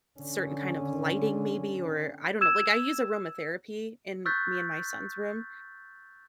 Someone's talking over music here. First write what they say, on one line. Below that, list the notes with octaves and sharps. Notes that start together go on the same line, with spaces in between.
certain kind of lighting maybe? Or I don't know, like I use aromatherapy in me and my son's room,
D3 C#4
E6 G#6 E7
C#6 E6 F#6 G6 A6 B6